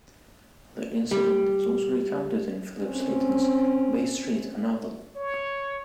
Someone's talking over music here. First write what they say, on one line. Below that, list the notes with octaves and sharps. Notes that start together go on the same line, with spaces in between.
The incident is also recounted in Philip Slayton's "Bay Street: A Novel".
G3
C4 C#4
C#5